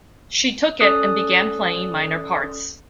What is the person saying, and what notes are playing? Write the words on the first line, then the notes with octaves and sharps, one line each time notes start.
She took it and began playing minor parts.
C#4 A4 D5 D#6 F#6